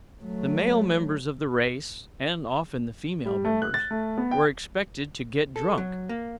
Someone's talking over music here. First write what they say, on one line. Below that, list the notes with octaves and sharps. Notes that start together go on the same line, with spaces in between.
The male members of the race, and often the female members, were expected to get drunk.
F#3 A3
G3
A3
F#6
A6
A3
B3
G5
A4
F#3
A#3